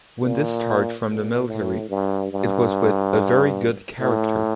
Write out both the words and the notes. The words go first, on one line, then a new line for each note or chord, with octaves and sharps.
When discharged from the military it was with 'a very good character'.
A#2
A#2
A2
G2
G2
A2